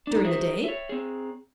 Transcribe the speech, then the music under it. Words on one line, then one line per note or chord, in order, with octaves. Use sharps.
"During the day?"
D4 D#4
F#4 G#4 A#4 C5 E5
C#5 E5
C4 G#4